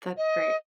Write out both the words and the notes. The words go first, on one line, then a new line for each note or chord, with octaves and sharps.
That's great.
D#5